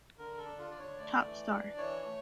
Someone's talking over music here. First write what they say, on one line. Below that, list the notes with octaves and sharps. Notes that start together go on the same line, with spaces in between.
Top Star.
D3 A#4
A4
D4
F4
D3 D5
C#5
A3 D5
E3
D4
E3 C#5
A3